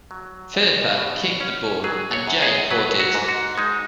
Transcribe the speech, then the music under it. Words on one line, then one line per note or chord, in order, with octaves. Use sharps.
Philippa kicked the ball, and Jane caught it.
F#3
F#2
B2
C#4
F#3 G#4
C#5
F#2
G#4
F#3 B4
F#4
G#2
F#4
G#3 D#4